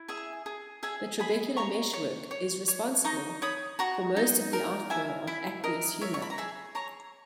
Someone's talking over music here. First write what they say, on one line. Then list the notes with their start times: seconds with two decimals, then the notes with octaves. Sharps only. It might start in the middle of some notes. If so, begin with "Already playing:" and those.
The trabecular meshwork is responsible for most of the outflow of aqueous humor.
Already playing: E4
0.08 G#4 E5 G#5
0.46 G#4
0.83 G#4 E5 G#5
1.19 G#4 G#5 B5
1.57 C#5 A#5 C#6
1.93 C#5
2.31 C#5
2.68 C#5
3.04 D#4 A#5 C#6
3.42 C#5 B5 D#6
3.79 F#4 A#5 C#6
4.16 D#4
4.53 A#4
4.90 E4 E5 G#5
5.27 E4 E5
5.64 A#4 D#5
6.01 C#5 E5
6.14 C#6
6.22 B5
6.30 A#5
6.38 G#4 E5 G#5
6.75 C#5 A#5 C#6